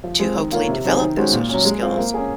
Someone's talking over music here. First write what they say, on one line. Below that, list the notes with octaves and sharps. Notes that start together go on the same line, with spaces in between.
to hopefully develop those social skills,
F3
G#3 C4
D#3
A#3 F4 A#4 C#5
C3
F#3 C4 D#4 G#4
D#3
G#3 C#4 F#4 C5
A#2
F#3 C#4
G#3
C4 F4
A#3
C#4 G#4